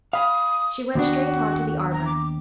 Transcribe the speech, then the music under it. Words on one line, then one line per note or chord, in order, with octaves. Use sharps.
She went straight on to the arbor.
F5 B5 D#6
D#2 B3 D4 F#4
A#5
D6